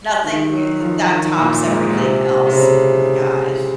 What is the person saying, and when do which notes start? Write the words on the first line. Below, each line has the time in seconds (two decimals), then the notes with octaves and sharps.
Nothing er, that tops everything else. Oh, my gosh.
0.24 D#3
0.52 F#3
0.81 F3
1.10 D#3
1.38 A#2
1.67 G#2
1.90 A#2
1.95 C3
2.24 C3
2.47 C3
2.53 C#3